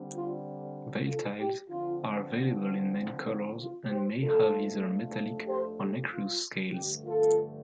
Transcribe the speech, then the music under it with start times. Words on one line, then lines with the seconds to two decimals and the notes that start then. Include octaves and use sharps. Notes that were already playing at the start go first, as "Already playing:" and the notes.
Veiltails are available in many colors and may have either metallic or nacreous scales.
Already playing: D3 G3 C4
0.12 F4
1.06 F4 A4
1.39 G4
1.69 D3 F3 C4 F4
3.58 F4
3.89 G4 C5
4.21 F2 F3 A3 D4 F4 A4
5.47 G4 C5
5.79 G4
6.11 F4
6.73 G2 D3 F3 A3 G4
7.05 F4 A4